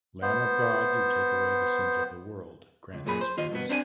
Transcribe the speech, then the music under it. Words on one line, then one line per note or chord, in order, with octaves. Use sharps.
Lamb of God, you take away the sins of the world: grant us peace.
B3 C5
C#2
F#2 A#2 G#4 B5
C5
D#2 F4 D#5
G2 B2 B3
C4 D4 E4 G#5